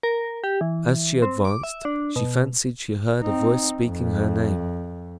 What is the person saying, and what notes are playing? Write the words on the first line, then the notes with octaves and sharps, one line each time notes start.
As she advanced she fancied she heard a voice speaking her name.
A#4
G4
E3
C4
D6
E5
D4
B2
C4 D#4
F2